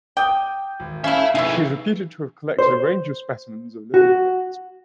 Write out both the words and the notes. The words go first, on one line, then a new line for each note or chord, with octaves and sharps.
She is reputed to have collected a range of specimens of living things.
G5 D6 D#6 G6
G#1
A3 C#4 E5 F5 B5
D#4 E4 G#4 B4
C5
F#4